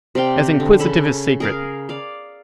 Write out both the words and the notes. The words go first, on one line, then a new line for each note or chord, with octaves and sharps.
As inquisitive as secret.'
C3 D5 F5 G5
D3
C#3 A4 B5
G#4 A#4 F5
D5 F5